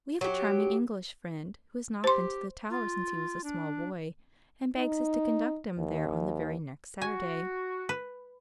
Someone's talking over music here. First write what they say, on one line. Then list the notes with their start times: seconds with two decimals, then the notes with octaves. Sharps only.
We have a charming English friend who has not been to the Tower since he was a small boy, and begs us to conduct him there on the very next Saturday.
0.21 F#3 G4
2.04 G4 C5 C6
2.70 F4
3.44 D4
4.77 D#4
5.78 D#2
7.02 F#4 G#5
7.89 B4